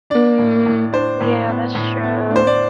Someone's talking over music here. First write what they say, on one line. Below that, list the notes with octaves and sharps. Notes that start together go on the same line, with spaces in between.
Mm, yeah, that's true,
D4 D5
A2
A2
D4 C5
A2
B3
A2
B3
D4 C5
D5